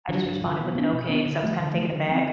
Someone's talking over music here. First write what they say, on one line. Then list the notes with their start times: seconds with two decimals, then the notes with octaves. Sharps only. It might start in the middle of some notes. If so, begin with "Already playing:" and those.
I just responded with an okay 'cause I was kinda taken aback.
0.09 D3 F3
0.26 G2
0.42 D3 F3
0.59 B2
0.75 B3 D4
0.93 B2
1.09 B3 D4
1.26 D3
1.43 F3 A3
1.60 D3
1.75 F3 A3
1.92 D3
2.09 F3 C4